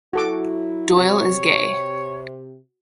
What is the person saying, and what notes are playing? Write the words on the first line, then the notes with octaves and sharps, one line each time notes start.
Doyle is gay.
F#3 E4 F#4 A4 D6
C3 F#4 C#5